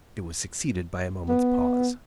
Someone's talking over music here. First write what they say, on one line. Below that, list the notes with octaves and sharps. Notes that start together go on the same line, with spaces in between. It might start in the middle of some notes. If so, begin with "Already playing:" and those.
It was succeeded by a moment's pause.
B3